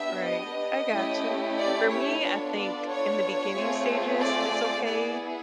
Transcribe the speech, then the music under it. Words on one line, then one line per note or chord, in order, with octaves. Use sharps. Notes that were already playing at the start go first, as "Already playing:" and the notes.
Right, I gotcha. For me, I think in the beginning stages, it's okay
Already playing: B3 D4 G4 E5
D#5
A3 C#4 E4 G4
D5
C#5
B3 D4 F4 A4 C#5
D5
C#5
A3 C4 F4 G#4
D5
B3 E4 G#4 D5